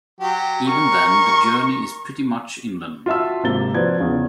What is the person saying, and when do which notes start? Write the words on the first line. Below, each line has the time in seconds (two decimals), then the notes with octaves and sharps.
Even then the journey is pretty much inland.
0.20 F#3 G4
0.68 A#4 C#6
3.06 F4 F#4 E5 A5 E6
3.43 G#1 C3 A#3 A6 G7
3.74 F3 F#4 B4 D5 G#6
4.00 E2 C#3